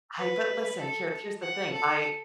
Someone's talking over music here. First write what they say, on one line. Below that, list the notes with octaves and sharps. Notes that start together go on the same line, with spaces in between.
I but listen, here here's the thing. I
B4
A4
F#5
A4